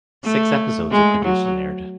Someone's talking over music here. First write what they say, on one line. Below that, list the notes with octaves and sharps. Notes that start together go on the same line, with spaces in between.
Six episodes were produced and aired.
A3
G#3
F#3